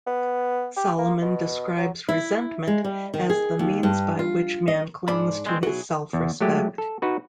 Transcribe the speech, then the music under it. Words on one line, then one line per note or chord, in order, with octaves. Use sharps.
Solomon describes resentment as the means by which man clings to his self-respect.
B3
G4
A#3
B2
F#3
E4
G#3
G3
D#3
G#4
D#2
G2
F4
D#5
G#2 D4 C5 D5 B5
A#2 D#3 G#3 C4
B1 F#3 E4 F#4 G#4
E2
F#3 G#3 A3 G4
A4
D#4 F#4 B4